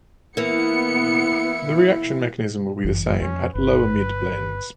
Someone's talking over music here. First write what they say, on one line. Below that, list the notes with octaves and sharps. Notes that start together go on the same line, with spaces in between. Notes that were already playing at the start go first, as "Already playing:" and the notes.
The reaction mechanism will be the same at lower-mid blends.
E3 A#3 B3 E4 C#7
G1 F#2 E3
F2 C#4
G1 B4